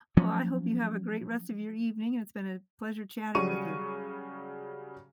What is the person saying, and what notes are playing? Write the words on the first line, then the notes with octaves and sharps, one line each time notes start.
Oh, I hope you have a great rest of your evening, and it's been a pleasure chatting with you.
F3 F#3 C#4
C#3 F#3 G3 C#6 D#7